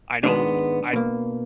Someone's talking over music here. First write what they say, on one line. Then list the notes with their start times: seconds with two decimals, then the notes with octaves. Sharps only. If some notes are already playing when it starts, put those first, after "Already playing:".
I know, I
0.23 G#2 D#3 G#3 B3 D4
0.93 B2 A#3